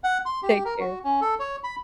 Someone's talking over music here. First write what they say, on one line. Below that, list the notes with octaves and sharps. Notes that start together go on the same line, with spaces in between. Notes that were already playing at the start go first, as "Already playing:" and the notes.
Take care.
F#5
C6
G4
A#4
F#4
C#4
A4
C#5
B5